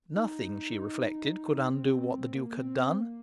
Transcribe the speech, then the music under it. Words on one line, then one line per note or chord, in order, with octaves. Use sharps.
Nothing, she reflected, could undo what the Duke had done.
D#4
C4
A#3
C4
C4
A#3